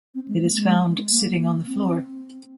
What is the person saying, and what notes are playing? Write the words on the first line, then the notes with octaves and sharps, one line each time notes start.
It is found sitting on the floor.
C4
G#3
A#3
G#3
A#3
C4